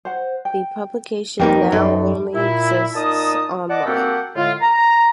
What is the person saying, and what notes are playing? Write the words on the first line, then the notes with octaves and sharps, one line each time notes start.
The publication now only exists online.
C5 F#5
G5
F2 A#3 D#4 G4 B4 G5
F#2 D#4 A4
A#2 E4
A#2 D#4 D#5 A5 D#6
D5 D#5 F#5 A5 D6
A#3 C4 F#4 G4 A4 F#5
A2 D3 G#3 F4
A#5